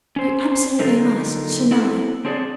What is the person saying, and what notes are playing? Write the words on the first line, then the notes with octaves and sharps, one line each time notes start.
You absolutely must, tonight!
C#4 C5
D3 F#3 D#4 F4 A4 A#4
C4 E4 A4 F#5
C4 D4 G#4 C#5 D5